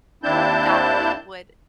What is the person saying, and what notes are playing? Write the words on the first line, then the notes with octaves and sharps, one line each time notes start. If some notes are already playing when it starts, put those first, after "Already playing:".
that we would
D#2 C4 D4 E4 A5 G6